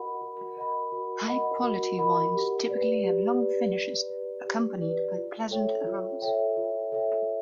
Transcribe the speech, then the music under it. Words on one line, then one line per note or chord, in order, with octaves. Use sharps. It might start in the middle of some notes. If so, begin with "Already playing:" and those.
High quality wines typically have long finishes accompanied by pleasant aromas.
Already playing: F#4 A#4 D#5 F#5 B5
F#4
A#4 D#5 F#5 B5
F#4
A#4 D#5 F#5 B5
F#4
A#4 D#5 F#5 B5
G4
B4 D5
G4
B4 D5
G4
B4 D5
G4
B4 D5
F4
A4 C#5 E5 G5
F4
A4 C#5 E5 G5
F4
A4 C#5 E5 G5